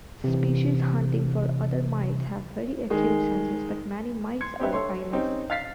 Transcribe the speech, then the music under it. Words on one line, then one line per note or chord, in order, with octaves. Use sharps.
Species hunting for other mites have very acute senses, but many mites are eyeless.
C3 E3
D#3 G#3
C6 G#6 C#7
C4 D4 G4 B4 E5
A4 C#5 C6
C4 C#4 D#4 G4 C#5
F5 F6 A6 B6 C7